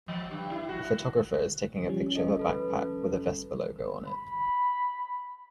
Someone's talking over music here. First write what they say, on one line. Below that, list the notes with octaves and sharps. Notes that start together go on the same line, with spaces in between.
A photographer is taking a picture of a backpack with a Vespa logo on it.
F3
G2
E4
F#4
F3 G3 C#4
A4 D#5
A4 B4
B5